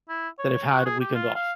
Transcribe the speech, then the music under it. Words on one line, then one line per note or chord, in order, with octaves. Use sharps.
that I've had a weekend off.
E4
C#5
F#4
G#4
G4
F4
F5